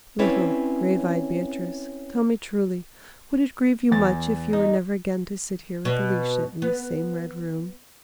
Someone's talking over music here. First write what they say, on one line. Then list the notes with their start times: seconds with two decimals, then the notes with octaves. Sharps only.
"Little, grave-eyed Beatrice, tell me truly, would it grieve you much if you were never again to sit here with Alicia in this same Red Room?"
0.19 C4 C#4 E4 B4 C#5 D5
3.92 E2 A6
4.53 D#4
5.85 B2
6.62 B3